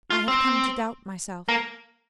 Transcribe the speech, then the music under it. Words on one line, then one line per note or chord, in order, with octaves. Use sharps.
I have come to doubt myself.
F4
C4
A#3